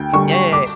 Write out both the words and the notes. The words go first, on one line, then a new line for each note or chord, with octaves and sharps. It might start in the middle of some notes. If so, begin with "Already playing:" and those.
Yeah, yeah, ye
Already playing: D2 G5
D3 G3 C#6
D6